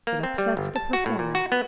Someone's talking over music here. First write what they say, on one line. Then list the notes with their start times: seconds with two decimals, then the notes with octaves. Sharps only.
It upsets the performance.'
0.07 A#3
0.23 C4
0.38 G3
0.57 G1
0.76 A5
0.93 F#4
1.06 A2
1.19 A#2
1.35 F#4
1.52 B3